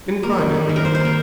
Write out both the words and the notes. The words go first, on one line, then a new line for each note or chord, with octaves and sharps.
"In private, you know."
A#3
D#3
G3
D#3
A#4
D#3 C5
C5
A#3
A#4